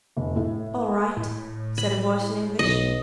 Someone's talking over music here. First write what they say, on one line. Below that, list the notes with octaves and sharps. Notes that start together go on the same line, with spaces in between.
"All right," said a voice in English.
F1
A2
A2
B5
B1 D#5